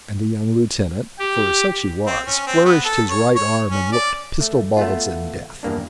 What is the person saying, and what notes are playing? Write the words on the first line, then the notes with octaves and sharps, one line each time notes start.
And the young lieutenant, for such he was, flourished his right arm and looked pistol-balls and death.
G4
C4
C#4
C4
B3
A4
C#5
C#5
C#4
D5
A3
A3 B3 F4
E2 G2 A#3 D4